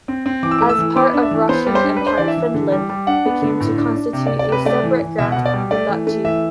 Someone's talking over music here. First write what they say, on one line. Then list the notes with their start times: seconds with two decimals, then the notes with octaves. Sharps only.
As part of Russian Empire Finland became to constitute a separate grand duchy.
0.08 C4
0.26 C4
0.43 E3 D6
0.51 E6
0.58 A3 D6
0.69 E6
0.79 E3
0.96 B3 D6
1.14 D4
1.23 E5
1.31 E3
1.49 B3 C5
1.67 G3
1.75 C5
1.84 D4
1.97 D4 B4
2.07 C5
2.18 E3 D5
2.28 E5
2.37 E3
2.54 D3
2.72 G3
2.90 G3
3.07 D4 F#5
3.26 B3
3.42 D3
3.61 A2
3.78 D4
3.96 D4
4.13 C3
4.27 D5
4.30 C3
4.39 D5
4.49 C3 B4
4.65 A3 D5
4.83 E3
5.01 E3
5.18 B2 E5
5.32 F#5
5.36 B2
5.46 D5
5.54 G3
5.71 A3 D5
5.89 E3
6.07 A3
6.24 E3 E5